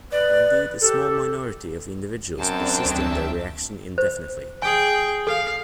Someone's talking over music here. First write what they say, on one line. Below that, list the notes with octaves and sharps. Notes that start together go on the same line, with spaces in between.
Indeed a small minority of individuals persist in their reaction indefinitely.
B4 D5
G4 A4
F#2 C4 D4 G5 A5
D2 D#3 F#3 E5
C5
G#4 G5 G#5
A4 F5